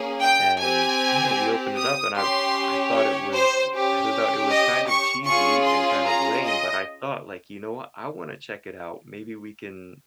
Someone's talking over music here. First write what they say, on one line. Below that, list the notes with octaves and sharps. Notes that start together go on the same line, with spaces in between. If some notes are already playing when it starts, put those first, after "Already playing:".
and, you know, we opened it up and I I thought it was I don't know, it was kind of cheesy and kind of lame, but I thought, like, "You know what? I wanna check it out, maybe we can
Already playing: A#3 C#4 G#4
G5
C4 G4 G#5
D#6
C#4 G4 C6
C#5
C5
C#4 G4
D#5
C#6
C#4 F4 G#4 C#6
C6
A#5
D#5